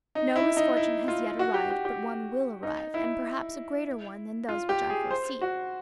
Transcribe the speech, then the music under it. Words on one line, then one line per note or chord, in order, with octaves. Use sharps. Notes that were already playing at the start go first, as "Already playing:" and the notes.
No misfortune has yet arrived, but one will arrive, and perhaps a greater one than those which I foresee.
D#4
E4
D#4
E4
F4
F#4
G4
G4
G4
D#4
E4
F4
G4
G#4
C5
F#4